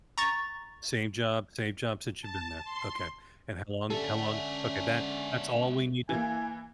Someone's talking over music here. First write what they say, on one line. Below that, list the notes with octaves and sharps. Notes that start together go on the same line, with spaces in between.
Same job same job since you've been there. Okay. And how long how long, okay. That that's all we need t
A#5 C#6 A6
A5
C6
D3 G#3 C#4 D4 A4 E5
E3 A#3 G#5